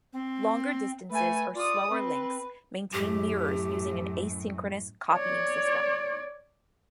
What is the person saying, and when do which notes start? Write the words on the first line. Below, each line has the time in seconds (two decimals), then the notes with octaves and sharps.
Longer distances or slower links maintain mirrors using an asynchronous copying system.
0.13 C4
1.10 A3 B4 G#5
1.55 F4 D5 D#6
1.90 C4 B4
2.93 F#2 A2 G4
5.12 C#5 D5